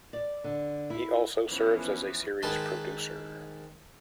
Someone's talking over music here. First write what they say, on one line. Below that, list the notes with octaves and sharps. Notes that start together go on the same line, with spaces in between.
He also served as a series producer.
D5
D3
E4
E3 F3 B3 C#4
G#2 D#3 B4 A5 C6